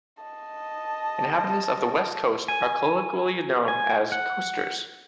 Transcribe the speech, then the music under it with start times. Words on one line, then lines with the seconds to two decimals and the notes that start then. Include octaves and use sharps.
Inhabitants of the West Coast are colloquially known as "Coasters".
0.23 D#5 A5
2.48 G#5
3.68 G#5
4.12 F#5